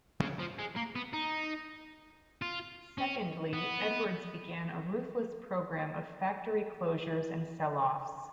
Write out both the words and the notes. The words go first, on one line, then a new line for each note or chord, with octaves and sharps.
Secondly, Edwardes began a ruthless programme of factory closures and sell-offs.
C#3
F3
G#3
A#3
B3
D#4
F4
C#4
B3